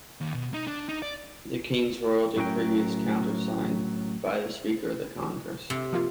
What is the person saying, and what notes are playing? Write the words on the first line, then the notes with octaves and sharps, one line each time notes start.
The king's royal decree is countersigned by the Speaker of the Congress.
D#2
B2
D#4
D4
D#4
D5
A2 F#3 C#4 A#4 G5
C3
F3 A#3 F4